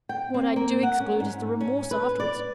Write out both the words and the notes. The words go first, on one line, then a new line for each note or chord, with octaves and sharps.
What I do exclude is the remorse afterwards.
G5
C4
A#3
F#5
C#4
G#2
C#4
B4
D5